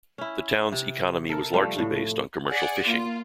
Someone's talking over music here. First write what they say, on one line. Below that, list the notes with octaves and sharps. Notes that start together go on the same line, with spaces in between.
The town’s economy was largely based on commercial fishing.
C#4 E4
C3
A4 A#4
F3 G3 A3
A2
G#4 D5 F#5
A#3 F4